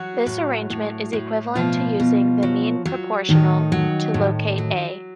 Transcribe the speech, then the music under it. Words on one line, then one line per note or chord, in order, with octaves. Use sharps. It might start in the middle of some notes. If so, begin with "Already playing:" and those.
This arrangement is equivalent to using the mean proportional to locate "a".
Already playing: F#3 F#4
A2
A2
A2
B2 F3 F4
B2
F#3
F#3
A2 D#3 D#4
F#3
A2
F#3